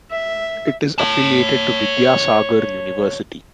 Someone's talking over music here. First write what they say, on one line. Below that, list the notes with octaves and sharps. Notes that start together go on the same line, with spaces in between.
It is affiliated to Vidyasagar University.
E5
C#5 A5